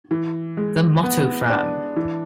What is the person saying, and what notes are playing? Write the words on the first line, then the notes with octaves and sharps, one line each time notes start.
The motto Fram!
E3
G#3
B3
D4
E3